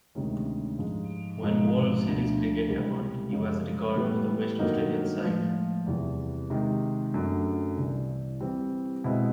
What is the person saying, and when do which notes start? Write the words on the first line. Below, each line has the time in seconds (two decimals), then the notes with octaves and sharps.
When World Series Cricket happened he was recalled to the West Australian side.
0.15 D2 C3 D#3 G#3 C#4
0.79 G#2 F3 G#3
1.42 G#2 F3 G#3
2.05 D2 D3 F3
2.68 C#2 C3 E3 G3
3.32 F#2 C#3 F3 G#3 C#4
3.96 A2 E3 G3 B3
4.59 G2 D#3 F#3 A#3 D#4
5.24 A2 F3 G#3
5.86 E2 C3 E3 G3
6.50 C3 D#3 G#3
7.14 F#2 D3 F#3 A3
7.77 C2 C3 E3
8.41 E3 G3 C4
9.04 B2 G#3 C4 E4